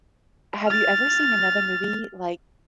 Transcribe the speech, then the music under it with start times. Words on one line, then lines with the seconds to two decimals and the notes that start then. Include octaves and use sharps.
have you ever seen another movie like
0.67 F6 A6